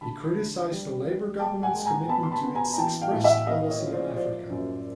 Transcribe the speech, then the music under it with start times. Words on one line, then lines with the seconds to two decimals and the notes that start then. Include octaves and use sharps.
He criticised the Labour government's commitment to its expressed policy on Africa.
0.01 D3 A5 B5
0.36 D3
0.71 G3
1.05 G3
1.39 G#3 G5 A5
1.63 F#5 G#5
1.75 G#3
1.85 G#5 A#5
2.08 B3 A5 B5
2.23 C6
2.32 A5 B5
2.43 B3
2.55 G#5 A#5
2.73 A#5
2.78 E3 G5 A5
3.01 F5 G5
3.13 A2
3.24 E5 F#5
3.46 A#3 D#5 F5
3.70 C#5 D#5
3.82 F3
3.93 C5 D5
4.16 F3 C5 D5
4.50 F#2